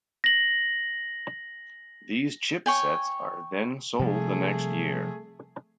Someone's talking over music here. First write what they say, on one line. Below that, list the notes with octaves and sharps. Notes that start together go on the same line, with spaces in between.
These chip sets are then sold the next year.
A#6 F#7
C#5 G5 G#5
C3 F3 G3 A3 G#4